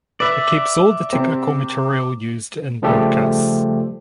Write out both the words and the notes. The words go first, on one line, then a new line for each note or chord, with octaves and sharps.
It keeps all the technical material used in broadcasts.
B4 D5 E5 D6
C3 C4
C#3 F3 G3 A3 G4 A4